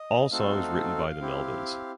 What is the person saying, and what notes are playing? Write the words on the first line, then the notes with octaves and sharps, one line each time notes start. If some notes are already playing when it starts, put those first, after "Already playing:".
All songs written by The Melvins.
Already playing: D#5
A3 C4 D#4 F#4 A4 F5
C4 E4 G4